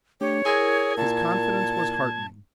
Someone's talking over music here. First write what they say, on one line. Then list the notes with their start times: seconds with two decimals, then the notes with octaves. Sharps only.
His confidence was heartening.
0.21 A3 D4 G4 C#5
0.45 E4 G#4 A#4 G#6
0.97 A#2 A5